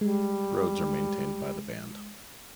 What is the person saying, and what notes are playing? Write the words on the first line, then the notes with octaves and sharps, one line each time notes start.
Roads are maintained by the band.
G3 G#3